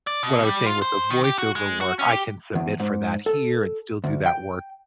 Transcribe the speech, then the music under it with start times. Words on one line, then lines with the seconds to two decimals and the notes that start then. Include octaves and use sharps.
what I was saying with the voice over work, I can submit for that here, and still do that work
0.07 D5
0.23 B2
0.44 G3
0.66 F4
0.82 C5
1.10 D#3
1.24 G4
1.38 F#4
1.56 G#3
1.81 F#4
1.99 C#4
2.12 G4
2.55 E2
2.80 G#2
3.26 A4
4.04 D2
4.26 G5